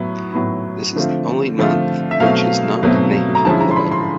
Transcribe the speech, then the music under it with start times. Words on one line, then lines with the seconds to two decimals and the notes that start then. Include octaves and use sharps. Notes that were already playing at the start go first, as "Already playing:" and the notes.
This is the only month which is not named in the Bible.
Already playing: A2 F#3 B3 E4
0.33 A2 F#3 B3 E4
0.96 D3 F3 A3 C4 F4
1.58 D3 F3 A3 C4 F4
2.11 E5
2.20 B2 F#3 A3 C4 F5
2.83 B2 F#3 A3 C4
3.35 A#5
3.45 D3 F3 G#3 C#4 E4 A5
3.60 A#5
3.71 C6
3.76 B5
3.92 C6